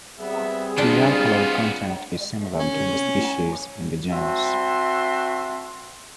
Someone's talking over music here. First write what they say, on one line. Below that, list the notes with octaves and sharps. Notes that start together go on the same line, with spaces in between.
The alkaloid content is similar between the species in the genus.
G3 B3 C4 G#4 E5
A#2 B3 D4 F4 G5
C#4
C4 F#4 E5 A5 C6